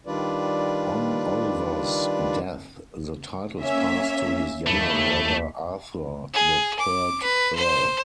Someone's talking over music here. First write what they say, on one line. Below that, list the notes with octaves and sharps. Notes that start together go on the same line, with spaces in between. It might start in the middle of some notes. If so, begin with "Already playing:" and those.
On Oliver's death the titles passed to his younger brother, Arthur, the third Earl.
D#3 G3 D4 F4 B4 D5
A#3 C#4 E5
D#2 A3 E4
G#4
D6
B4
C5